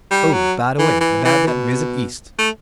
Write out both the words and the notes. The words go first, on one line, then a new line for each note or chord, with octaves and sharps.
Oh, by the way--about that visit East.
G3
F#3
E3
E3
E3
B2
A3